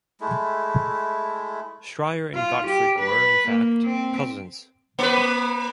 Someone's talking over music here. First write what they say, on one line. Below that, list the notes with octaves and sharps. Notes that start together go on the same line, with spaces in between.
Shreyer and Gottfried were, in fact, cousins.
G#3 A3 E4
F4
G4
B4
A#3
C4
A#3 B4